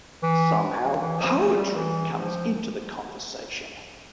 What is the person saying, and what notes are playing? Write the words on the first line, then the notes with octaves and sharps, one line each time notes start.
Somehow poetry comes into the conversation.
E3
E3
F3
A3
G3
E3
F3